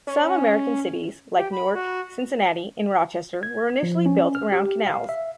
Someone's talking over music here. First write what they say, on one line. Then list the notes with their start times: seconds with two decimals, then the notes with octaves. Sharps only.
Some American cities, like Newark, Cincinnati and Rochester, were initially built around canals.
0.07 C#4
1.37 G4
1.52 B5
1.74 F#4
3.43 G#6
3.83 F3
4.06 C#4
4.35 F6
4.52 G4
4.87 F5
5.09 E5